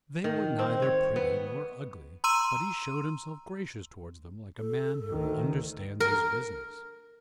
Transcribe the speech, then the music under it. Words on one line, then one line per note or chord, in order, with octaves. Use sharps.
They were neither pretty nor ugly, but he shewed himself gracious towards them like a man who understands his business.
D#3
C4
C#5
B3
A#5 C6 E6 D#7
A4
D2 D#3
A#4